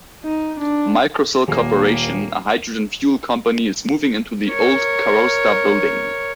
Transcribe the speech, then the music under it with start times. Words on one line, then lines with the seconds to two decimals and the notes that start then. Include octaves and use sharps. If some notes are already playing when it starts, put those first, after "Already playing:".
Microcell Corporation, a hydrogen fuel company is moving into the old Caraustar building.
0.23 D#4
0.59 D4
1.48 D#1 A#3
4.48 A#4 C#5